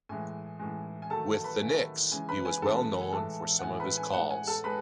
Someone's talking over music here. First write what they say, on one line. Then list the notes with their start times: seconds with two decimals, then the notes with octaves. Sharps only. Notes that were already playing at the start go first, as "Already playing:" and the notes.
With the Knicks, he was well known for some of his calls.
0.09 A2 E3 G#3 G#5
0.59 A2 E3 G#3
1.02 G#5
1.10 D#3 F#3 A3 A4 A5
1.44 B4 B5
1.61 D#3 F#3 A3 G#5
2.12 C#3 E3 G#3 G#5
2.29 B4 B5
2.45 G#5
2.62 C#3 E3 G#3 A4 A5
3.01 G#5
3.13 A2 E3 G#3 A4 A5
3.59 F#5
3.63 A2 E3 G#3 G#5
3.80 B4 B5
3.97 G#5
4.13 A2 G#3 F#5
4.30 G#5
4.47 A4 A5
4.64 G#3 B4 B5